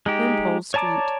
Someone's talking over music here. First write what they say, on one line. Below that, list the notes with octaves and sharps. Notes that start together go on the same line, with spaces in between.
Wimpole Street.
G#3 D#4 G4
C#5 D5 A5 A#5 D6